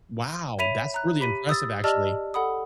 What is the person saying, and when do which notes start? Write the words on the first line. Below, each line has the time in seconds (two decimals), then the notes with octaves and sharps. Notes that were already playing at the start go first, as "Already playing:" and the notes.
Wow, that's really impressive, actually.
0.59 C#5 E5 B5 B6 D#7 F7
0.94 A#5 F#6
1.20 G4 B5 B6 D#7
1.49 D#6 E6 A6
1.84 G4 D5 D#5 A5 E6 F6
2.34 A4 F#5 B5 D#6